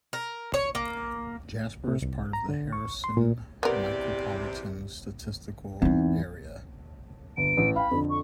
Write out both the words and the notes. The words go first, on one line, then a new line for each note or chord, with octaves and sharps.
Jasper is part of the Harrison Micropolitan Statistical Area.
A#4
C#5
A#3
C3
C2
A#5
D3
C#6
C6
A#2
E2 C3 B3 G4 A#4 D5
E2 C4 D#4
G1 D7
A1
F5 G5 B5
F2 D3
C#6